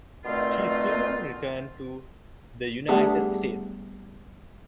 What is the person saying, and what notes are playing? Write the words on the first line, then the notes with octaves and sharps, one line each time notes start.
She soon returned to the United States.
B2 D3 D#3 A3 C4 F4
G3 A3 B3 D4 G4 G#4